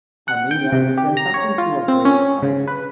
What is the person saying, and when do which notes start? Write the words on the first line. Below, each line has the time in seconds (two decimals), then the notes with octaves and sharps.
Armenia was then passing through a grave crisis.
0.28 F#5
0.51 G5
0.72 C3
0.97 G4
1.17 A#5
1.34 C#5
1.58 F4
1.88 C4
2.05 C#4
2.43 C#3
2.67 B4